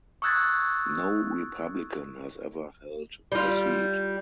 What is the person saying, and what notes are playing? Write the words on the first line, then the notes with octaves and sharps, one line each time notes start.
No Republican has ever held the seat.
C#6 D#6 E6 F#6 G#6 A6
G3 F4